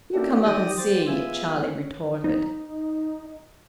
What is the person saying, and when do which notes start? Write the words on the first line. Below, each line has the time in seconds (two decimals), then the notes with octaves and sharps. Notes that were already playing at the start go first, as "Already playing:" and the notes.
"You come up and see," Charlie retorted.
0.14 A#3 C#4 D4 E4 G4 A4
0.45 D#3 G4 D5 G5 D#6 A#6
0.78 G4 C5 A6
1.07 G#3 B3 F4 E5 G#5
1.62 C#4
2.24 D#4